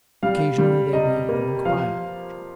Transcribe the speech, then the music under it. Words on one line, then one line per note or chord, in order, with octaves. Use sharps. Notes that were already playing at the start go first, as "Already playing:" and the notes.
Occasionally they may even inquire after you.
G3 F5
G3
C3 D#5
A#3
F3 F5